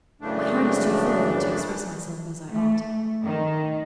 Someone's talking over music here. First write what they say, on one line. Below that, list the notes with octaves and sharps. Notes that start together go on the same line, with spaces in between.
My heart is too full of it to express myself as I ought.
F#2 A2 C#3 E3 A3 D4
A3
D#3